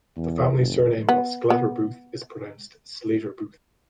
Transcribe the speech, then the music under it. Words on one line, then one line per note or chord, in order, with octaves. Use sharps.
The family surname of Sclater-Booth is pronounced "Slater-Booth".
E2
F#1
B3
B3